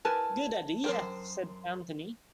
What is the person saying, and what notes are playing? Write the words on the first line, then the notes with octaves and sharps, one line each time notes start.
"Good idea," said Anthony.
E4 A#4 B4 G#5 A5
F#2 A#4 C5 G5